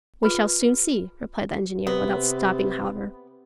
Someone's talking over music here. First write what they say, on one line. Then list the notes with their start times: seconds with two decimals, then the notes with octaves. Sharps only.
"We shall soon see," replied the engineer, without stopping however.
0.23 F4 G#4 B4 B5
1.87 C3 B3